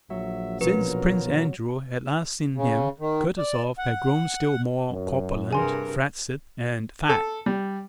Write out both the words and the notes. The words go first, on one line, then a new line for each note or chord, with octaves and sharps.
Since Prince Andrew had last seen him Kutuzov had grown still more corpulent, flaccid, and fat.
A#1 F#3 E5
B2 F3 C#4 A#4 B4
C#3
D#3
D5
F#5
F#2
G2 C3 G#4 A#4 G#5 C6
A4
G3